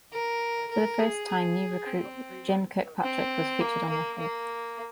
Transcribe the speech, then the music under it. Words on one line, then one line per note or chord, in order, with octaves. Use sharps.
For the first time new recruit Jim Kirkpatrick was featured on record.
A#4
A#4
G#4
G#4
C4
C4
A#3
A#3
A#3